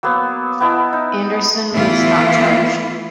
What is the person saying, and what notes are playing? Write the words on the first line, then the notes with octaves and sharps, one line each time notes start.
Anderson was not charged.
F#3 A#3 B3 C#5
B3 E4 D#5 A5
D#4
E3 A3 B3 E4 F4